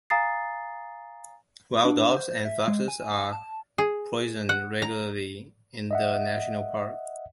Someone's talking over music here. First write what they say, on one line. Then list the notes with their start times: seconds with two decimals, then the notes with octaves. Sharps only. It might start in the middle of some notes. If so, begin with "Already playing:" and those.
Wild dogs and foxes are poisoned regularly in the national park.
0.10 F5 G#5 A#5 D#6 A6 C7
1.85 D4
2.17 C5
2.31 C5
2.45 E5
2.68 G#3
2.88 G#5
3.33 A5
3.78 G#4
4.49 F#5
4.82 A#5
5.91 D#5 E5 F#5